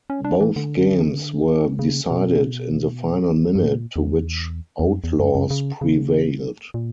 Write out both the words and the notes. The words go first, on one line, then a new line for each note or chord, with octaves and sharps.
Both games were decided in the final minute to which Outlaws prevailed.
C#4
D4
E3
D3
C#3
B2
G2
A#2
E2
E2
F#2
E2
F#2
F#2
C#3
C#3
A#2